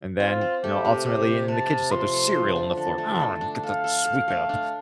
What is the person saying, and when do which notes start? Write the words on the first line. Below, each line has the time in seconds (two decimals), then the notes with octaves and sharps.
and then, you know, ultimately in the kitchen, "So there's cereal on the floor. Ugh! Imma get that sweep it up,"
0.20 C4 F4
0.41 C4
0.64 A3 G4
0.85 C3
1.06 C3 G4
1.27 C3
1.48 C3 A5
1.70 C3
1.91 F3 C6
2.13 A3
2.34 F3
2.56 D4
2.77 D3 A5
2.98 A3
3.20 A3
3.41 D4
3.63 A4 F5
3.84 A4
4.05 A4
4.28 A3
4.49 D4